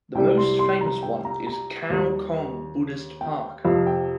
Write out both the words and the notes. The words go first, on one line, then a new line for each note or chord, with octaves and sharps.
The most famous one is Khao Kong Buddhist Park.
C2 C3 G3 G5
C6
C6
A#5
G5
A#5
A#5
D#2 D#3 G3
G5
F2 C3 F3 F5
G5